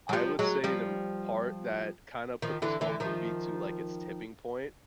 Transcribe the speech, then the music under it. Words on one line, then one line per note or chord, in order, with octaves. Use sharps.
I would say the m part that kinda put this whole movie to, like, its tipping point
F#3
F3 G3
F#3 G#3
F3 G3
D#3 F3
D3 E3
D3 E3
D#3 F3